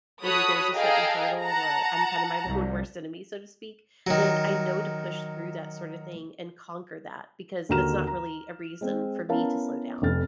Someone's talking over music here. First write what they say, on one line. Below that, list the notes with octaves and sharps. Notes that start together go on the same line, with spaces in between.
maybe there's a certain hurdle or I'm kinda my my own worst enemy, so to speak, then I know to push through that sort of thing and conquer that because that's not really a reason for me to slow down.
F#4 A4 C#5 B5 D#6 F#6
G#4 A4 D#5 F5 G5 A#5
F#5 A5 A#5
C2
D#3 F#3
D#2 D3 F#4 A#5 F6 E7
A#5
G#3 C4
B3 C#4 E4 A#4 F5 A5
F1 F2 F6 A6